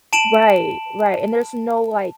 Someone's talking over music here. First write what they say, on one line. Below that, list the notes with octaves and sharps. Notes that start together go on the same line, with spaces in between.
Right, right, and there's no like
A5 D7 E7 F#7